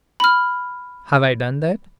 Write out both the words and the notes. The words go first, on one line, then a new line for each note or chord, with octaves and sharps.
Have I done that?
B5 F6